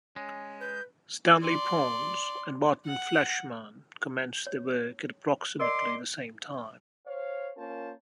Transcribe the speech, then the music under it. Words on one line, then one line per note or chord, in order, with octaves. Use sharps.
Stanley Pons and Martin Fleischmann commenced their work at approximately the same time.
G#3 C#4
B4 G6
D5 C6
F#5
C#5
A#4 D5 D#5 C6 D6
C5 C#5 F5
A#3 C#4 F4 A#4 C5 A5